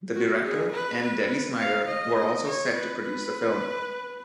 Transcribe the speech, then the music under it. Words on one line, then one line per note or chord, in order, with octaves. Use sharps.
The director and Debbie Snyder were also set to produce the film.
F#4
G#4
B4
B4
F5
D#5
C#5
B4
B4